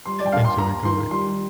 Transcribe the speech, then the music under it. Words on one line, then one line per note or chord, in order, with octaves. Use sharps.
enjoy going.
G3 C6
D5
G5
D#2 F5
C6
D#2 A#5
D#3 C6
G3 C6